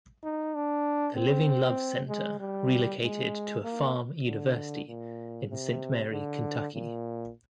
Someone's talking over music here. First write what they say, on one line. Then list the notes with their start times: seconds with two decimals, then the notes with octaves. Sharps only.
The Living Love Center relocated to a farm-university in Saint Mary, Kentucky.
0.24 D#4
0.55 D4
1.17 C4
2.09 G#3
2.40 G3
3.02 G#3
3.64 A#3
4.26 D3
4.89 A#2
5.51 C3
6.12 D3
6.75 A#2